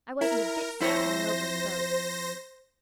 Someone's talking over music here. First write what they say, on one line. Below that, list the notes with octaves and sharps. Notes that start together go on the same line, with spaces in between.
I wasn't a bit sick coming over in the boat.
E4 A#4
F2 E4 C5 C#5 A#6